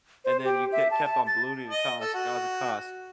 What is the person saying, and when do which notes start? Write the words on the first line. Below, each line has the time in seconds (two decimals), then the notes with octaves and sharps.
and then you ke kept on ballooning the cost, 'cause of cost,
0.25 C5
0.44 G4
0.72 E5
0.91 A5
1.05 A5
1.27 A6
1.69 D#5
2.01 A4
2.14 F#4